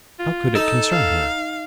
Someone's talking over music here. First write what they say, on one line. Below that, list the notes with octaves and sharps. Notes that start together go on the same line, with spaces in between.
How could it concern her?
F4
D#4 A4
F5